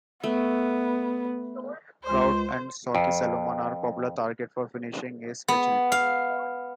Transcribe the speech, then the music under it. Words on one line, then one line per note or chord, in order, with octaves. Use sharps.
Trout and sockeye salmon are popular targets for fishing in Stehekin.
A3 B3
C#2 C5
F2
B3
F5